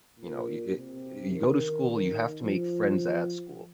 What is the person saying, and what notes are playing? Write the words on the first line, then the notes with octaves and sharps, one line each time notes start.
you know, it you go to school, you have to make friends at school.
A#2
C3
D#3
F3